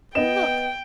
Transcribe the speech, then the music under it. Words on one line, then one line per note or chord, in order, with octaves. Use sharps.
And look!
B3 D#5 G5 E7